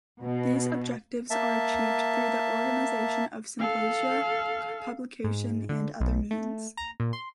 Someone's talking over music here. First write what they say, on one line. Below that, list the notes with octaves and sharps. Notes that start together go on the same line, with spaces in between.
These objectives are achieved through the organization of symposia, publication, and other means.
B2
A#3 E5 A5
A4 F5
G#2
D3
B1
A3
A#5
A#2
C6